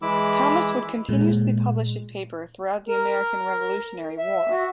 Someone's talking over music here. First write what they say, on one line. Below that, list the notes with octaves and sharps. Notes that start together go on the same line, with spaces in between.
Thomas would continuously publish his paper throughout the American Revolutionary War.
E3 G#3 E4 B5 D6 E6
A#2 G#3
A#4
E5
F#4